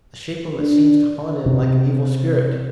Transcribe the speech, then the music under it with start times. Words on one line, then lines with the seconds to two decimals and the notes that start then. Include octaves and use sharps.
The shape of it seems to haunt him like an evil spirit.
0.59 D4
1.46 C3